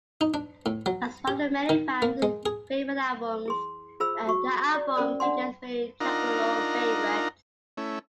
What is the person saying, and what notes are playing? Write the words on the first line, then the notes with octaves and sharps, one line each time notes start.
As one of the many fan favorite albums, the album features many Juggalo favorites.
D#4
D4
A2
F#3
G4
D#3
A#3
G#3
G#4
E4 G#4 C6
F4 G#4 C5 B5 E6
F#4 C#6
D5
C#4 A#4 C5 D5
D4 D5 F#5 G#5 C6
D4 D#4 F4 A#4 F#5 A#5
A3 C#4 E4